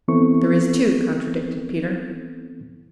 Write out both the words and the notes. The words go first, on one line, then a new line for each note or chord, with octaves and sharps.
"There is too," contradicted Peter.
E3 B3 C4 E4 A4 C#6